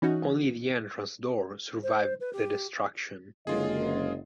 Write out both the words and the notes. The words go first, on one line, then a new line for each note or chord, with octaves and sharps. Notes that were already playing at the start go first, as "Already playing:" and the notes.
Only the entrance door survived the destruction.
E3 C#4 D#4 F#4
C5
B4
G4
F#1 F#2 D3 G#3 F4 G#4 D#5